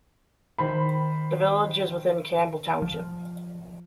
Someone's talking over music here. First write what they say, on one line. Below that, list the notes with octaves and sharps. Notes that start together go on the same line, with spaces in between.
The village is within Campbell Township.
D#3 C5 B5
F3